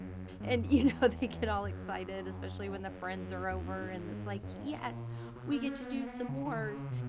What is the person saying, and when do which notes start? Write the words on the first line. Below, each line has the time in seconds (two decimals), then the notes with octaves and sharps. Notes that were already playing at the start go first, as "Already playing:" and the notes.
and, you know, they get all excited, especially when the friends are over, and it's like, "Yes. We get to do s'mores."
Already playing: F#2
0.40 G#2
0.56 F#2
0.71 E2
1.64 F#2
2.88 F#2
3.51 E2
3.66 F#2
3.81 G#2
4.43 F#2
4.59 G#2
4.74 A#2
5.36 B2
5.52 A#3
5.67 C#4
5.81 B3
5.94 A#3
6.07 B3
6.29 C#3
6.45 D#3
6.60 C#3
6.91 B2